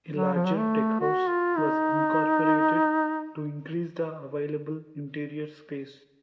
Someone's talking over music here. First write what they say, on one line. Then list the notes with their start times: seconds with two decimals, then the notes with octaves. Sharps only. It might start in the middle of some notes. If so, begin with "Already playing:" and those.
A larger deckhouse was incorporated to increase the available interior space.
0.14 F#3
0.34 F3
0.45 F#3
0.57 A3
1.00 F#4
1.29 F4
1.57 D#4